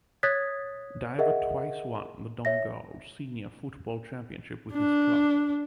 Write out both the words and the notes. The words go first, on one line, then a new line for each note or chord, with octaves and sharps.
Diver twice won the Donegal Senior Football Championship with his club.
C#5 D#6 F#6 G#6 A6 B6
G#4 A#4 D#5 E5 F#5
C#5 E5 A#6
D4